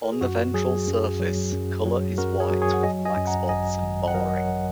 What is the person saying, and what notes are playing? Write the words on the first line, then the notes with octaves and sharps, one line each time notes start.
On the ventral surface, colour is white with black spots and barring.
A#4
G#4
F#2 F#4
F#3 G#4
F#2
F#3
F#2
F#3
F#2 F#4 A#4
G#4 C#5
F#3
G#4 C#5
F#5
F#3 D#5 G#5
D#5 G#5
F#2
F#5 A#5
G#1 D#5 G#5
G#1
F#5
F#3 A#4 D#5
D#5
C#5 F#5